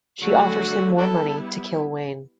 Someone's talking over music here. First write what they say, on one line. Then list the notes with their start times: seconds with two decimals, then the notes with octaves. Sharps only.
She offers him more money to kill Wayne.
0.21 D3 F#3 A3 F#4
0.98 G3 B3 D4 E4 F#4 A4
1.29 A4